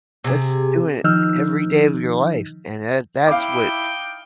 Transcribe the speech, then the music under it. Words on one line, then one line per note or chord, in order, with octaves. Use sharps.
That's doing it every day of your life, and that that's what
C3 G#4
D#3 F3 D#4 E6 F6 G6
D#4 E4 F5 G5 D6